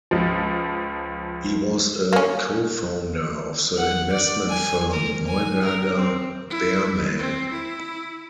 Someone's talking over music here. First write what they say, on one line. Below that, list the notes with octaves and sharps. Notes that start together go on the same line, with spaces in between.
He was a co-founder of the investment firm Neuberger Berman.
C#2 F3
A#3 C#4
F#5
D5
G#5
A#4
G#5
A#4
C4
E4
C4
E4